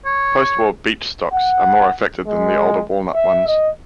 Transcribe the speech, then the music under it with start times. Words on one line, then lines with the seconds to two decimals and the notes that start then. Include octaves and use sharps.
Postwar beech stocks are more affected than the older walnut ones.
0.05 C#5
1.33 F#5
2.27 G#3
3.15 E5
3.47 D#5